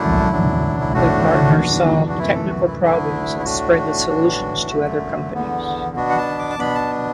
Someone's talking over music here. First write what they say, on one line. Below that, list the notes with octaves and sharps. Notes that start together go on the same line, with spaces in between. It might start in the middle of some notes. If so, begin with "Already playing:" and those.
The partners solved technical problems and spread the solutions to other companies.
Already playing: F#2 D3 A3 D4 E4
F#2 F#3 D4
E4
A2 A3 D4 F#4
E2 E3 D4
F#4
F#2 E3 A3 E4
A4
F#4
E4
D2 D3 A3 D4 E4
E4
A2 A3 D4 F#4
A2 E3 D4
F#2 D3 A3
E2 D3 B3
B2 B3 D4 F#4
F#5
A5
D6
A5
B2 B3 D4 B5
A5